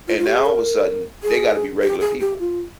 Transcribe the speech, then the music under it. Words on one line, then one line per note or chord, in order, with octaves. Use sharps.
and now, all of a sudden, they gotta be regular people,
F4
F4
G4
G#4
A#4
G#4
G4
G#4
G4
F4